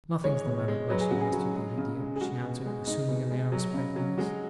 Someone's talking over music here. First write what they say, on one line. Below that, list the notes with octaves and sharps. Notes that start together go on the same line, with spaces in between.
'Nothing's the matter, bless you, Master Davy dear!' she answered, assuming an air of sprightliness.
G#3 C#5
B2
G#3
F#3 B4
G#4
C#3 F#4
G#4
F#3
G#3
C#3
G#3
G#4
G#3 F#4
B2
G#3
G#3 D#4
B2
G#3
F#3
C#3
F#3
G#3 F#4